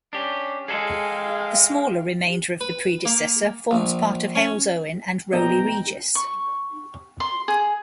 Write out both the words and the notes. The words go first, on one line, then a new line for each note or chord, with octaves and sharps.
The smaller remainder of the predecessor forms part of Halesowen and Rowley Regis.
C#4 D4 G4
G#3 G#4 A4 F5 G5
B4
A#3
A#1
C#4
A#1 B2 B3 A4 D#5 G5 A#5
C#6
C6
G#4